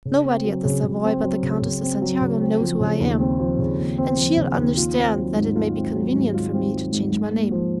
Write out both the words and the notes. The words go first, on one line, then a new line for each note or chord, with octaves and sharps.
Nobody at the Savoy but the Countess de Santiago knows who I am, and she'll understand that it may be convenient for me to change my name.
C#3
C4
F#3
C#3
C#3
C4
F#3
C#3
C#3
C4
F#3
C#3
C4
F3
C#3
D#2
C4
F3
C#3
D#2
C4
F3
C#3
D#2
F4
C4
F#3
G#2
F4
C4
F#3
G#2
F4
C4
F#3
G#2
G#2
A#3
F3